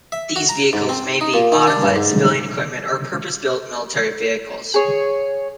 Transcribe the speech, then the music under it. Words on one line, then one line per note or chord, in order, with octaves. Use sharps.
These vehicles may be modified civilian equipment or purpose-built military vehicles.
E5
F#4
A#5
G#2
C4
D#4
A#2
D#3
D4
G2
G#2
G#4 C#5